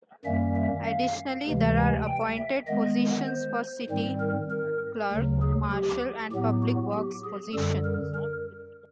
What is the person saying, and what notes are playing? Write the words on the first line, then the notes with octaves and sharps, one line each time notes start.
Additionally, there are appointed positions for City Clerk, Marshall, and Public Works positions.
F#2 D#3 G3 A#3 C#4 E5
E5
F5
D2 C3 E3 G#3
G#5
G5
E5
D#3 G#3 B3 D#5
C5
G#2 D#3 G3 C4
A#4
A#4
D2 C#3 F#3
G#4
G4
A2 F#3 B3 G4
F#4
G4
G#4
F#2 D3 G3 A4
A#4
A#4